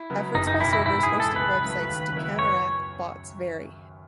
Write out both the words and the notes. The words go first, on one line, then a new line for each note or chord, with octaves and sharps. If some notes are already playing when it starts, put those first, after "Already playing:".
Efforts by servers hosting websites to counteract bots vary.
Already playing: E4
C#3 F#3 B3
F#1 D#4
D#4
E2 B2 E4
E4
G#2 E4
G#4
E3 G#3
A4
C#2 B4
C#3 F#3 A3
D#2
C#3 F#3 B3 E4
F#2 C#5